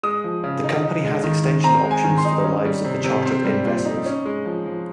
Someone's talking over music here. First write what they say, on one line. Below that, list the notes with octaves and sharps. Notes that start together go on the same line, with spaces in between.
The Company has extension options for the lives of the chartered-in vessels.
G#3 D#6
F3
C#3
D#4
D#4
G#3
D#3
D#3
C4 A#5
G#3
G#5
D#3
C6
D#4
C#4
G3
C3
C3
C4
G3
A#2
D#4
C#4
G#3
F3
F3